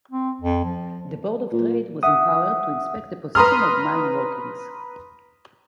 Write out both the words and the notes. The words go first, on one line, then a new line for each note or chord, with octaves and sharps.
The Board of Trade was empowered to inspect the position of mine workings.
C4
F2
F3
A#2
E5 F#5 D#6
B4 A#5 C6 D#6 F6